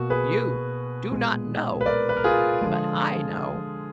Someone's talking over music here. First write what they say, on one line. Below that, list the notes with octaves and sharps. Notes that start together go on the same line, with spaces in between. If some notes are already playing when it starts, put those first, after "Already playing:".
You do not know; but I know.
Already playing: B2 A#3 F#4
G#4 B4
A#2 G#3 B3
B4
A#4 D5
B4
A#4
F4 G#4
D3 F3 G#3